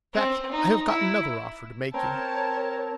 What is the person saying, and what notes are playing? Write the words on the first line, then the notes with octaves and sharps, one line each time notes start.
In fact, I have got another offer to make you.'
C4
D#4
E4
C4 A#4 C#5 A5